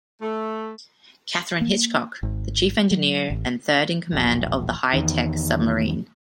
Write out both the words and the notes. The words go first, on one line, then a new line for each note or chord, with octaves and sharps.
Katherine Hitchcock, the chief engineer, and third in command of the high-tech submarine.
A3
A#3
G#1
F#3
A1
E1 A#1
E2 D#3